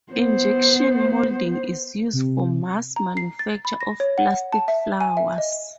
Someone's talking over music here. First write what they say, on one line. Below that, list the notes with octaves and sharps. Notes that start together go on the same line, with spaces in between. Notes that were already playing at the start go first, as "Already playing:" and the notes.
Injection moulding is used for mass manufacture of plastic flowers.
B3 C5
C3
A#5
C7
A6
B5
A#6
C#5
F#5
A5
E5
G#5
E5
D#5